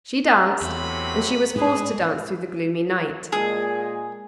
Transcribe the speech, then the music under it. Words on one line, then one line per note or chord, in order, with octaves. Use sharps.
She danced, and she was forced to dance through the gloomy night.
E2 C3 F#3 A3 B5
G#2 G#3 G#4 B4
A#2 G#3 G#4